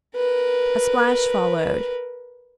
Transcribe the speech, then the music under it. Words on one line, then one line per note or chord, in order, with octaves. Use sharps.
A splash followed.
A#4 B4